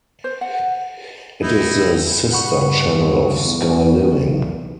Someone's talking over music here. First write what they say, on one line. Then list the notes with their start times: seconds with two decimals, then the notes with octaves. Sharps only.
It is the sister channel of Sky Living.
0.24 C5
0.41 F#5
1.42 D#4 E4
2.32 G2 F#5 B5 C#6
3.44 E2